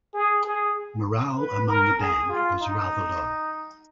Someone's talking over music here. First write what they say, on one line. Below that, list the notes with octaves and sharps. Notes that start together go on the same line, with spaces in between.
Morale among the band was rather low.
G#4
G#4
B4
A#4
G#4
F4
D#4